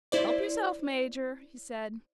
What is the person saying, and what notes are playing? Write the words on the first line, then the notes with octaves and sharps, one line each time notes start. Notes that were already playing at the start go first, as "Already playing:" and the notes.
"Help yourself, Major," he said.
E4 C5 D5